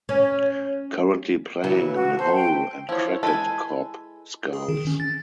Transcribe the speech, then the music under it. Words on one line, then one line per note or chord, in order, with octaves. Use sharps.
Currently playing in Howl and Cracked Cop Skulls.
C#4 C#5
C#3 E3 F#3
F#4
A4 C5
G5
F3 E4 C#5
G#3 A4 B4 G#5
G#4
D#3
C#4
A6